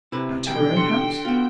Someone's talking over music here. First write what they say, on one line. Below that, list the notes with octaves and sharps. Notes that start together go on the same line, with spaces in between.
"At her own house?"
C3 E4 B4
B2 E3 G3 G5
D3 C6 C#7
B3 F4 F#4